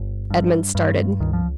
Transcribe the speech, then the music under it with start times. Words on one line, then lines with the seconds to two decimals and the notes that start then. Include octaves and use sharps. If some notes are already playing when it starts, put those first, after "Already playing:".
Edmond started.
Already playing: G1
0.30 G2
0.75 G2
1.20 C#2 D#3
1.33 F3